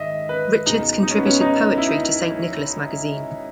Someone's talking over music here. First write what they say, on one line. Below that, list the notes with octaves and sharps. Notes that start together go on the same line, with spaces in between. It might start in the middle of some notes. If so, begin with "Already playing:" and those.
Richards contributed poetry to "Saint Nicholas Magazine".
Already playing: G#2 D#3 D#5 E5
B4
C#2 B2 G#3 D#4
D#4
C#4
B3
C#4
D#4
E4
D#4